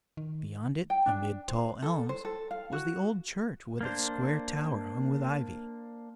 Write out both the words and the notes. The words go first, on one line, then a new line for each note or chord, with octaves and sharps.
Beyond it, amid tall elms, was the old church with its square tower hung with ivy.
D#3
G5
D4
C5
A4
C5
A4
F5
F#4
A#3 D4 C5